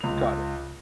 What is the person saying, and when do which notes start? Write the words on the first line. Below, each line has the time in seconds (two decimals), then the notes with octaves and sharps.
Got it.
0.01 C#2 F7